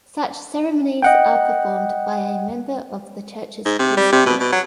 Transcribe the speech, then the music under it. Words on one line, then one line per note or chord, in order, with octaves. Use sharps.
Such ceremonies are performed by a member of the church's priesthood.
D#5 F#5 G5
G#2
C3
G3
C3
B2
B2
F#3